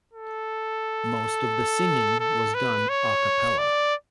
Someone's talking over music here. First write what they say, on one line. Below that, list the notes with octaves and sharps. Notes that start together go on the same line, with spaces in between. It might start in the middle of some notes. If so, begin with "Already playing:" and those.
Most of the singing was done a cappella.
A4
A4
B4
C#5
D5